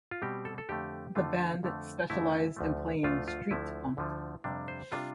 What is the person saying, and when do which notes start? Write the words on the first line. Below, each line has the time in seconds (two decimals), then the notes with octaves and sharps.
The band specialized in playing "street funk".
0.11 F4
0.22 B2 G3 C4 G4
0.45 A4
0.58 A4
0.69 F2 D3 A3 G4
1.15 F2 D3 A3 F4
1.63 F2 D3 A3
2.10 F2 D3 A3 E4
2.56 D2 D3 F3 A3
3.03 D2 D3 F3 A3 F4
3.28 F4
3.51 D2 D3 F3 A3 E4
3.97 D2 D3 F3 A3
4.44 F2 C3 G3 D4
4.68 C5
4.92 C3 G3 D4 F4